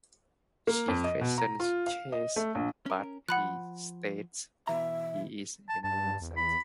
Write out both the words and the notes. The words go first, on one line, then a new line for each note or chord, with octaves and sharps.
She questions Chase but he states he is innocent.
A#3
F2
D#5
B2
A#5
F4
F5
D#5
A3
A#1
C#4 A#4
F3 F#5 B5 F#6
B2 E3 E5 A#5
A5
G2 A5
E2
B5